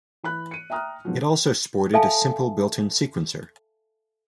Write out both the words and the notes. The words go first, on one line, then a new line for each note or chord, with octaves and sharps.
It also sported a simple built in sequencer.
E3 B5 F#6
C#7 D#7
E5 G5 A#5 D#6 F6 F#6
G#2 B2 D#3 F3 F#3
A4 E5 F5 G#5 A5